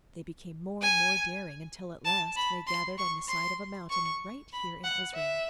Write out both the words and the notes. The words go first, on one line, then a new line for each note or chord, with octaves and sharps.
They became more and more daring, until at last they gathered on the side of a mountain right here in Israel.
G#5
A5
B5
C6
C#6
C6
C#6
B5
F#5
E5